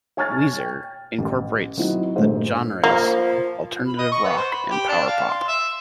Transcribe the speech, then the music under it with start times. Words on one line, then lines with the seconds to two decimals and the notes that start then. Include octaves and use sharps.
"Weezer" incorporates the genres alternative rock and power pop.
0.17 C#5 G#5 C#6 F6 G#6 A6
0.59 G5
1.18 A1
1.77 F#3 C4 D#4 E4 F#4
2.16 G2 A#2 G3 A3 C5
2.84 F3 A#3
3.87 B5
3.99 D#5
4.12 C#6
4.24 B3
4.37 C5
4.52 B5
4.71 G4
4.89 D4
5.07 F5
5.28 C6
5.48 E5